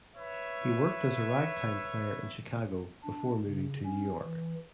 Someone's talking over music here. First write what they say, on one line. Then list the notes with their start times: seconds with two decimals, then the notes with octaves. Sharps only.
He worked as a ragtime player in Chicago before moving to New York.
0.17 B4 C#5 E5
3.03 D4
3.45 C#3
3.85 C#4
4.23 E3